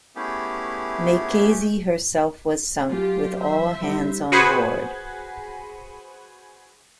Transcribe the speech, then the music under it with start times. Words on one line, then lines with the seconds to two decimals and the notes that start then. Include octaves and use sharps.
"Maikaze" herself was sunk with all hands on board.
0.16 A3 B3 C#4 E4 G4 G#4
2.89 F#2 F4 G4
3.40 C5 E5
3.81 G3 D#4
4.32 F#4 G#4 B4 C5 F#5 G#5